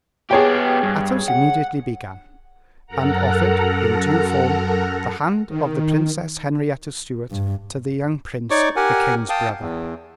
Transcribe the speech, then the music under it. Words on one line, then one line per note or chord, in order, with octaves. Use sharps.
Athos immediately began and offered in due form the hand of the Princess Henrietta Stuart to the young prince, the king's brother.
B3 G4 G#4 C#5 G5
G2
F#5
F#2 A4 A#4 F#5 A#5
D#3
G2
D#4 C#5 D5 C#6 D6
G4 A#4 F#5 G#5
F5 G5 A5 D#6
E2